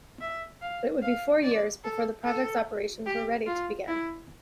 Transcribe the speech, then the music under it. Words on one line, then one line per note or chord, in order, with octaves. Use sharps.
It would be four years before the project's operations were ready to begin.
E5
F5
F5
D5
A4
A4
G4
F4
E4